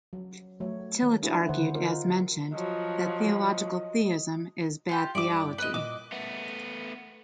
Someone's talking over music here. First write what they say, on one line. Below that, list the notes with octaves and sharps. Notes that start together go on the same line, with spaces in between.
Tillich argued, as mentioned, that theological theism is "bad theology".
F#3
F#3 A3 C#5
D#3
D4 E4 F#4 G#4 B4
D3 D#3 C5 F#5
D#4 F4 A#4 C5
F3 F#3 D#5
F4 G4
G2 G3 E4 D5 D6
B4 D#5
A#2 D#5 D6
A3 B3